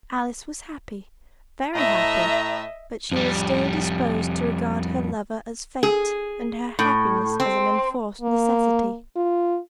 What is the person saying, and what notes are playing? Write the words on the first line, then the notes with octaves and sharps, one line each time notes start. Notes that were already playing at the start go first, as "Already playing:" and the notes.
Alice was happy, very happy; but she was still disposed to regard her lover as Fate, and her happiness as an enforced necessity.
A2 D#5 E5 A#5
F2 G3
G#4
A2
C4
A#3
F4